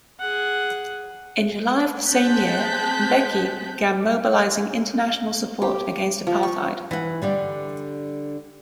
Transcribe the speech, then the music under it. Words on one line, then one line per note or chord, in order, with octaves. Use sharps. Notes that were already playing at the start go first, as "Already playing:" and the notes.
In July of the same year, Mbeki began mobilising international support against apartheid.
G#4 F#5
C4 G#4 A5 F#6 G6 B6
G4
F3
C#6
E3 F#5
D3 G3 D5